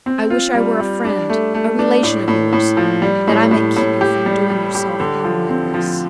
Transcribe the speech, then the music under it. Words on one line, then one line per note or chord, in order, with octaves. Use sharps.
"I wish I were a friend, a relation of yours, that I might keep you from doing yourself harm like this."
C4
F4
G3
G3
D4
A3
A3
D4
A2
A2
A2
F3
G3
A2
A2
A2
G4
G3
G3
G4
D3
F3
C4
F3